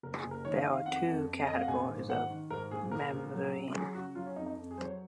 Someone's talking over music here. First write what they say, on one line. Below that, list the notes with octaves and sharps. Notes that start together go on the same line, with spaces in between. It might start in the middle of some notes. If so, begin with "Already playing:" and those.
There are two categories of mamzerim.
F#1 A#4
G#4
F#1
A#4
D#3 C#5
F5
D#5
D#3
F5
F2 F#5
F2
F2
F2 D#5
F5
F#5
A#1 G#5
G#2
D#3 F#5
D#3
G#2 A#4
A#1 G#4
A#1 A#4
A#1
F#3
C#3
F#3 G#4
C#3 F#4
F#3 F4
C#4
F2 D#4
D#4
F2
G#4
F#3 C5
C#5